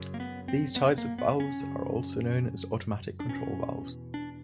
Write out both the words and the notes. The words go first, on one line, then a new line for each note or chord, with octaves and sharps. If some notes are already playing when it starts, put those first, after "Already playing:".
These types of valves are also known as Automatic Control Valves.
Already playing: F#2 C#3
A#3
B3
C4
B3
A#3
B3
C#4
F#2 C#3
D4
E2 B2 C#4
D4